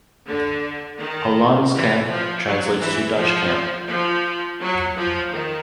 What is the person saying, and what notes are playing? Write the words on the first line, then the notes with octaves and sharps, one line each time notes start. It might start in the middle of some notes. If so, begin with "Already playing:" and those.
Hollandse Kamp translates to Dutch camp.
D3
D#3
E3
F3
F#3
E3
F3
F3
F#3
F3
D#3